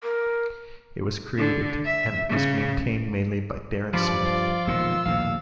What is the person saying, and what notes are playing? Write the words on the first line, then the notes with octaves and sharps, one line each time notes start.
It was created and is maintained mainly by Darren Smith.
A#4
D3
E5
C#3
G2 F3 D5 B5
F4
E1 A#2 D#3 E6
A#1 D#2 A2 F5